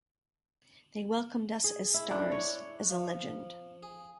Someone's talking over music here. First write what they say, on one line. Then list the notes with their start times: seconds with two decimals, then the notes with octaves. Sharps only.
They welcomed us as stars, as a legend.
1.64 G#4
1.94 E4
2.11 D4
2.31 C#5
2.90 F3
3.83 G#4